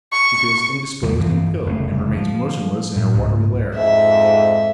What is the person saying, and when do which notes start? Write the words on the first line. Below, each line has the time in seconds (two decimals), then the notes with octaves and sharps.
She feels indisposed and ill, and remains motionless in her watery lair.
0.12 C#6
1.03 E2 C#3 F3 G3
1.18 G2 E3 F3
1.66 F1 C#3 A3
2.17 F3
2.97 A2
3.15 C#2 G#2
3.75 F2 G#2 E5